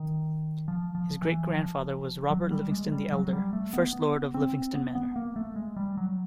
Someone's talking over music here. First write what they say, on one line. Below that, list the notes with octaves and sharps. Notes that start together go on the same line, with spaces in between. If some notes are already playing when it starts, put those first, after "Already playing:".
His great-grandfather was Robert Livingston the Elder, first lord of Livingston Manor.
Already playing: D#3
F3
F3
E3
F3
F#3
G3
G#3
G3
F#3
G3
A3
B3
B3
C4
B3
B3
A#3
A3
G#3
G3
F#3